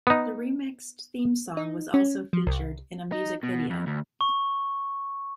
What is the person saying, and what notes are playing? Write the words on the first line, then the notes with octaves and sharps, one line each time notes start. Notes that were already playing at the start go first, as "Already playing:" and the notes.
The remixed theme song was also featured in a music video.
B3 D#4
D#4
C#4
F3
C2
D#4
B2
F2
D2
C#6